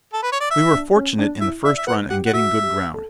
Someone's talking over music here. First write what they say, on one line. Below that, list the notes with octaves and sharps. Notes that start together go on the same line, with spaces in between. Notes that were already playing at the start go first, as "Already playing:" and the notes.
We were fortunate in the first run in getting good ground.
A4
B4
C#5
D5
E5
D4
C#4
D4
E4 E5
D5 E5
E5
B4 F#5
G4 F#5
F#5
F#4 E5
G4
A4